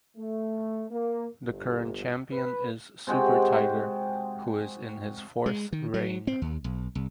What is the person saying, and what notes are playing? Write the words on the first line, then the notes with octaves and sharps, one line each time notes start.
The current champion is Super Tiger who is in his fourth reign.
A3
A#3
G1
B4
C3 G#3 F#4 G5
G#3
D#3
F#3
C4
D#2
B1
C2